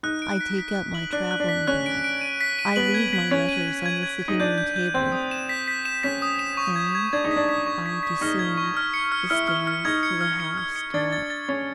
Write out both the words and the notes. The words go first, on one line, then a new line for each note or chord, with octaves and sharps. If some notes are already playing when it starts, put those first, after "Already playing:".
I take up my traveling-bag; I leave my letters on the sitting-room table; and I descend the stairs to the house door.
D#4 F#6
D7
B6
B6
F#6
F#7
D4 F#6
F#6
D4
B6
C#4 F#6
D7
D7
D#7
B6
D#7
B3 F#7
G#6
B6
C#4 B6
D#7
G#6
G#6
G#6
G#6
D#4
D4 G6
G6
G6
C4 G6
D#6
E7
B6
B6
E7
C#4 B6
D#6
E7
C#6
G#6
G#6
D4 G#6
D#4
B6
D4
B6
C#6
B6
B6
D#4 F6
G#6
C#6
F6
C#7
F6
E4 F6
F6
F6
D#4 G#6
C#7
F6
C#7
F6
C#7
D4 A6
A6
A6
C#4 A6